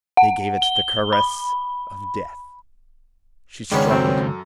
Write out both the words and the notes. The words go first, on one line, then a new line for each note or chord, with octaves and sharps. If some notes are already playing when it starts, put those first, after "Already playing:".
They gave it the caress of death. She struggled.
F#5
G7
B5
C#2 D#3 G3 G#3 B3 C#4
F#2 C4 A4